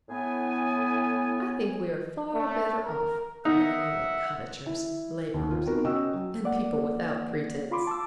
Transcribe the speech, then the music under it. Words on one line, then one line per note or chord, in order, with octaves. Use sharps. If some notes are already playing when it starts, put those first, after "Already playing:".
I think we are far better off, knowing only cottagers and labourers, and people without pretence.'
A2 B3 G#5
A3
A#4
D#4 E5 F#5
E4
D#2
F4
B3 C4 D#4 F#4 A#4 B4
C#4 F#4 D#5 G5 E6
F#3
A#3 D5 F#5
F4 B5 C6 D6
A5 D6 E6